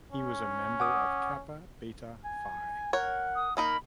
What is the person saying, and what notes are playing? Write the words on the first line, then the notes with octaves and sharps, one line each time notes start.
He was a member of Kappa Beta Phi.
C#4
F#5 D6 D#6
G#5
A#4 C#5 F#5
D#6
A#3 D#4 A#4 B5